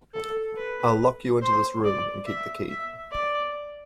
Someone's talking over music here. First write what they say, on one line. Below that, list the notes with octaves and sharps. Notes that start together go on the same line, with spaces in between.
I’ll lock you into this room and keep the key.
A4
B4
C5
D5
E5
E5
D5